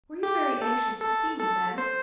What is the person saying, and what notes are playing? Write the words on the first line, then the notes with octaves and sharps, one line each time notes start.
"Were you very anxious to see me, then?"
G4
A4
A4
A4
C5